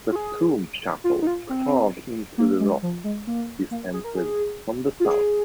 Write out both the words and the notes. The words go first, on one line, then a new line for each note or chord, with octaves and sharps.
The tomb chapel carved into the rock is entered from the south.
F4
G#4
F4
D#4
F4
C4
A#3
G#3
F3
G#3
A#3
A#3
G#4
A#4
G#4
F4
G#4